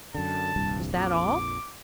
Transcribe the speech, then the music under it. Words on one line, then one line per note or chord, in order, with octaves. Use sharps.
"Is that all?"
F#2 D3 A5
D#1 C2 G2
A#1 F2 D6